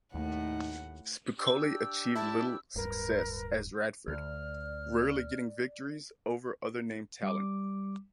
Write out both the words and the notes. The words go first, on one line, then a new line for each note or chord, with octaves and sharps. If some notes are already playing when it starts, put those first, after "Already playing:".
Spicolli achieved little success as Radford, rarely getting victories over other name talent.
D#2 A2 D#4 F#5
D4 G4 E6
E4 A5
D1 G2 A#4 B4
D2 D5 F6
G3 D6